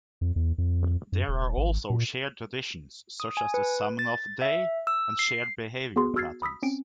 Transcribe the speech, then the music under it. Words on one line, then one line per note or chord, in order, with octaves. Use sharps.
There are also shared traditions, such as Zamenhof Day, and shared behaviour patterns.
F2
E2
F2
F#2
D#1
G#1
A#2
D#6
G#5
B4
A6
E5
E6
C7
B3 F#4 G#4 C6
F#4 E6 F6 G#6 A6 C7
B5 D#6 E6 B6
C4 C#4 D7